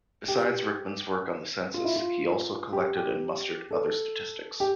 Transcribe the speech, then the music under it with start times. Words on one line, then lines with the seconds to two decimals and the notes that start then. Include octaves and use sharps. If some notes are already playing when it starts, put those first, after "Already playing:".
Besides Rickman's work on the census, he also collected and mustered other statistics.
0.28 G4
1.74 F4
1.85 E4
1.96 F4
2.73 G4
2.97 G4
3.71 A4
4.60 G4